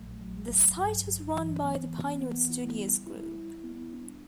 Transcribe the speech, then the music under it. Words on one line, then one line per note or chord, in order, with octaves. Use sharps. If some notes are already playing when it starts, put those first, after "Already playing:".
The site was run by the Pinewood Studios Group.
Already playing: A#1 F#3 A3
F#3
G1
G2
G1
E3
B3
B3
B3
E4
G3
E4
G3
B3
D4